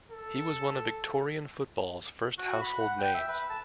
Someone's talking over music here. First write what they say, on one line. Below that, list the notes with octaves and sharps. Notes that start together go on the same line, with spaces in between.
He was one of Victorian football's first household names.
A4
F#4
B5
F#5
G5
E5
B4
A5